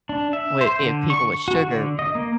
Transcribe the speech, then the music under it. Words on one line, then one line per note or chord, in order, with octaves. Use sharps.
wi if people with sugar,
D4
E5
C5
D3
C#6
F#4
D3
D#5
A#3